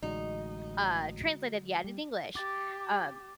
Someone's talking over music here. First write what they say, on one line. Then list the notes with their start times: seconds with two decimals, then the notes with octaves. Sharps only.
uh, translated yet in English," um,
0.03 A1 D3 G#3 D#4 F#4
1.84 G3
2.36 G4 D6 A6